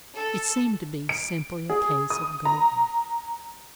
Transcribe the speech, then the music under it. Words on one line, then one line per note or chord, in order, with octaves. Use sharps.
It seemed to be simply a case of going.
A4
D7
G#4
D#6
A#5